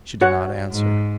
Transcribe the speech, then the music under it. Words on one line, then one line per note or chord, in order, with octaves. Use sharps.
She did not answer.
F#4 C#5 F#5
G#2